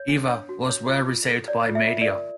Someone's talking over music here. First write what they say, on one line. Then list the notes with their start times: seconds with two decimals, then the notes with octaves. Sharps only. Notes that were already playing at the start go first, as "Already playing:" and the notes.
Eva was well received by media.
Already playing: C#5
0.09 D4
0.29 C#5
0.49 F#4
0.69 C#5
0.89 F4
1.09 F4
1.28 A4
1.48 C#5 D5
1.69 F4
1.75 E5
1.88 F4
2.01 D5
2.08 A#4